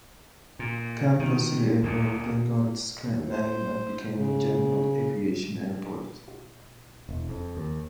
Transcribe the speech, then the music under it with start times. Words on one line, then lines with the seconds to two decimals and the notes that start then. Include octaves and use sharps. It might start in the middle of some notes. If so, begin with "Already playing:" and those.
Capital City Airport then got its current name and became a general aviation airport.
0.59 A#2
1.20 D#3
1.83 D2 A#2
3.05 D#2
3.30 C5
4.15 C#3
7.09 E1
7.29 F2
7.57 D#2